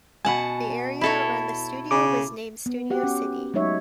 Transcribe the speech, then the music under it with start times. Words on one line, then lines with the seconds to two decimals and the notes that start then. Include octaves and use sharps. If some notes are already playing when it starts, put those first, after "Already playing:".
The area around the studio was named Studio City.
0.25 B2 F#5 G#5 A5
1.01 E4 A4 C#5
1.91 C#3 D6
2.66 B3
2.90 F#4 G4 F#5
3.03 C#4
3.54 F#3 G#3 A3 D#4 C#5 E5